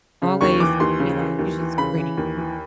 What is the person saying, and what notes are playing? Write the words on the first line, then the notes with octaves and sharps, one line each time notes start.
always be like, "You're just pretty,
C#3
D#2 C#6
E3 D6
D#2 C6
C#3
E3
D#2
E3
C#3 B5
E3
D#2
E3